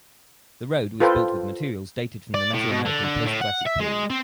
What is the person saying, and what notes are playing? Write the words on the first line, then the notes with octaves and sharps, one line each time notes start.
The road was built with materials dated from the Mesoamerican Postclassic Period.
F4 A4 B4 C5 G5
D5
A2
B2
D3
D3
A2
F#5
E5
G#3
C4